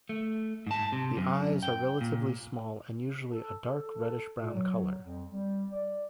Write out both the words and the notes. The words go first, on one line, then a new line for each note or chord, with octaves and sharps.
The eyes are relatively small and usually a dark reddish-brown color.
A3
G#2 A5
C3
F#2
G5
A#2
A4
A4
A#2
F#3
F2
G3
D5